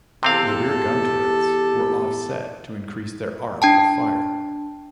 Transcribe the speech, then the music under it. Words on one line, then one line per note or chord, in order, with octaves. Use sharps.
The rear gun turrets were offset to increase their arc of fire.
E2 C3 C4 G4 A4 F5
D4 G5 A5